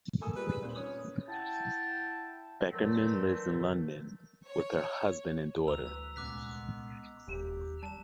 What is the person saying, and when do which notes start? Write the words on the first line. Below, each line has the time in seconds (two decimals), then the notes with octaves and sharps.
Beckerman lives in London with her husband and daughter.
0.21 A#3 A4 G#5 D#6
0.36 G3 F4 G#4 B4
0.48 B4
0.62 D#1 A#2 C4 C5
0.76 C#4 D#6
1.29 E4 F#5 G5 A5
2.72 D3 E3 F#3 A3 C4 A#4
4.48 C#5
5.67 D2 A#5 E6 F7
5.83 E3 A3 B4
6.16 C2 A#2 G#3 B3 C#4 D6 F#6 B6
7.28 E1 D#2 G4
7.83 G3 A5 E7